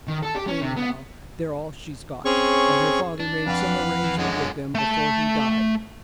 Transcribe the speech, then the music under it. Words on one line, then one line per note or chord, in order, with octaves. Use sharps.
Any-how, they're all she's got, and her father made some arrangement with them before he died.
D#3
A4
G4
C#4
C3
B3
C4 C#4 G#4 C#5 C#6
D4
F2 B4 F5 F#5
E3
F#2 D3 G#3 C#4 F4 F#5
A3 A5